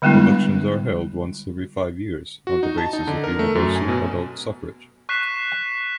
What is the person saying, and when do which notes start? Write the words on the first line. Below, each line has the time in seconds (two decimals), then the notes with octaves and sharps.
Elections are held once every five years, on the basis of universal adult suffrage.
0.02 D3 G3 G#3 B3 D4 E4
2.47 F#4
2.63 D#4
2.78 A5
2.93 D#4
3.07 D3
3.24 A#4
3.39 A3
3.55 F#2
3.76 G#5
3.88 B2
5.09 C#6 F#6 B6 C7 E7